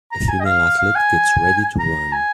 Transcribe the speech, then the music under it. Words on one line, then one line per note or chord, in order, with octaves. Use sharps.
A female athlete gets ready to run.
A#5
G#5
D#5
F5
F5
G#5
A#5
G#5